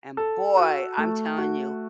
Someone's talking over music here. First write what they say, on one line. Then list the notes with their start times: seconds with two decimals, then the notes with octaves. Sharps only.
And boy, I'm telling you,
0.17 A4
0.57 F#4
0.98 A3
1.38 F#4